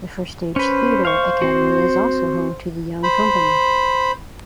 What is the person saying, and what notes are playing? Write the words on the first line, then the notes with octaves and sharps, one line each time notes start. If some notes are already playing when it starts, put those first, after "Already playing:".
The First Stage Theater Academy is also home to the Young Company.
C#4 B4 C5
F5 C#6
C4 F#4
C5 B5